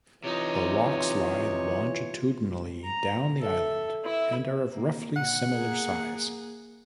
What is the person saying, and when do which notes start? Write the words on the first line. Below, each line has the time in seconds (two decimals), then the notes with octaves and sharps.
The lochs lie longitudinally down the island and are of roughly similar size.
0.24 C3 E3 D#4 F4 C#5
2.83 A#5
3.41 A4 E5
4.04 E4 E5
4.72 A#3
5.16 A#2 F#5
5.49 A#3 G#4